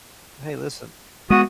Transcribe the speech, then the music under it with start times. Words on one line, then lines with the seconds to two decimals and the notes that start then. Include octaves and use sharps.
Hey listen
1.30 G#3 B3 F#4 D#6